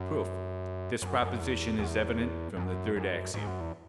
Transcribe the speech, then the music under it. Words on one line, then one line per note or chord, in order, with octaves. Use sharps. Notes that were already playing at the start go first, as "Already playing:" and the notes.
Proof.--This proposition is evident from the third axiom.
Already playing: F#2
F#2
F#2
E2
E2
F#2
F#2
G#2
F#2
E2